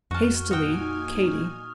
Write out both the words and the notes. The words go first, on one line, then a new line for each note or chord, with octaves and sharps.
Hastily, KATY.
F2 F#4 A5 C#6 F6
A#2 D#4 F#4 G5 G#5 D#6